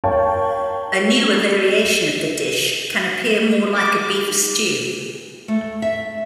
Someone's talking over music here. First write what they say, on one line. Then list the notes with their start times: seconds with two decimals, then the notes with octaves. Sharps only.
A newer variation of the dish can appear more like a beef stew.
0.04 A#4 C#5 F5 G5 A5
3.75 D6
5.48 A3
5.82 E5